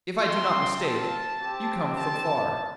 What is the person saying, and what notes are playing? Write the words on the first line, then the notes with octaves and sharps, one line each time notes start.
'If I do not mistake, you come from far.
C4 F4 C6
A5
C4 G4
A5